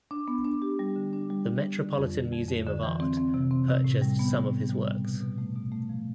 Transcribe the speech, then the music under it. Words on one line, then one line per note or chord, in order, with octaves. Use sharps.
The Metropolitan Museum of Art purchased some of his works.
D4
B3
D4
G4
G3
D3
D4
G3
D3
G3
D3
F2
D3
F2
F2
D3
E3
C4
C4
C3
C4
C3
A2
G3
B3
A2
B3
G3
B2
B2
B2
A3
B2
A3
F3